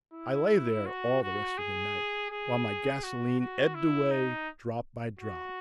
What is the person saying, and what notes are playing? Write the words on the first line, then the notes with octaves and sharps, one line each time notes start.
I lay there all the rest of the night, while my gasolene ebbed away drop by drop.
E4
F#4
F#4
G#4
G#4
F#4
F#4
E4
D#4
F#4